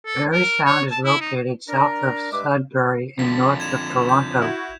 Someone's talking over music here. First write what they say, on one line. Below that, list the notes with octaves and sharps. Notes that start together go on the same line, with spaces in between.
Parry Sound is located south of Sudbury and north of Toronto.
A4
A#4
C#5
A5
E4
D#4
D4 A#4 A#5
G2 G#3 B4 E5 D6
F2 D3 B6
G#6 E7 F7
G6
E4 F#4